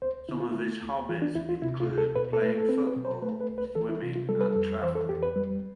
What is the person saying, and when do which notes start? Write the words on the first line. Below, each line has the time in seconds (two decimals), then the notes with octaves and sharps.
Some of his hobbies include playing football, swimming, and traveling.
0.02 D2 C5
0.29 D3 E4
0.40 F4
0.51 A3 E4
0.82 D2
1.09 E3 F4
1.22 D4
1.35 D2 E4
1.49 F4
1.62 C3 E4
1.80 F4
1.89 D2
1.98 A4
2.16 B2 B4
2.33 A4
2.42 A3 B4
2.58 A4
2.69 C4 B4
2.87 B4
2.96 B2
3.05 C5
3.22 A3 B4
3.41 B4
3.49 C2
3.58 B4
3.75 E3 A4
3.89 E4
4.02 C3 F4
4.16 F4
4.29 G3 A4
4.41 B4
4.51 A4
4.56 F2
4.82 E3 C5
4.95 A4
5.09 F2 G4
5.23 B4
5.36 G3